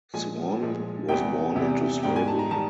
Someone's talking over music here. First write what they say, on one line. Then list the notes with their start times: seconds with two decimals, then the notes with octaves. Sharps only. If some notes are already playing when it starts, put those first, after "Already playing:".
Swann was born into slavery.
0.13 A#2 F3 G#3 G#5
0.62 A#2 F3 G#3
1.08 E2 C3 E3 G3 B3 G5
1.56 E2 C3 E3 G3 B3
2.03 G#2 D#3 G3 B3 G5
2.16 G#5
2.28 A5
2.39 A#5
2.51 D#3 G3 B3 A5